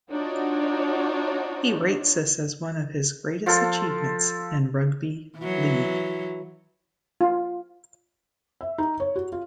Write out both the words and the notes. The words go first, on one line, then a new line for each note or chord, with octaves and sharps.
He rates this as one of his greatest achievements in rugby league.
D4 D#4 F4 F#4 C#5
F3 F4 A4 C6
E3 F#3
F4
E5
D#4
C#5
F#4
F4